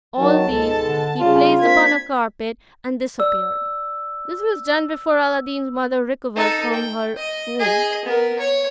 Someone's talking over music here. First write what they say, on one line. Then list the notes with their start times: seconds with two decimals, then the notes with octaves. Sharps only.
All these he placed upon a carpet, and disappeared; this was done before Aladdin's mother recovered from her swoon.
0.18 D#3 F#3 F#4 A5
0.49 C#2 G#2 B2 A4
0.86 D3
1.20 C#3 G3 F4
1.60 A#3 C4 D4 G#6 B6
3.20 D5 E6
6.36 D#4 A4
6.72 G5
7.17 D#5
7.59 G#4 D#5
8.05 B3 A#4
8.39 C#5